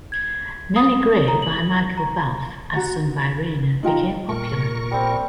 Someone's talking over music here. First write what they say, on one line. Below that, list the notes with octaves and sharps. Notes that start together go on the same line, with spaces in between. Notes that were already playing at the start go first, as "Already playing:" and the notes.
"Nellie Grey" by Michael Balfe, as sung by Raynor, became popular.
G#6
D#6
A#5
F#7
A#5
F#4 F#5 A#5
D#4 F4 G5 A#5
A#2 A#4 C#6
G3 C4